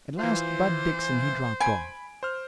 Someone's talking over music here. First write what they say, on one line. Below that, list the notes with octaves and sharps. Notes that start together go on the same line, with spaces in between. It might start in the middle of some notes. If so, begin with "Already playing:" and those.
At last Bud Dixon he dropped off.
E3 F4 C5
G#5 B5 D7
C5 F6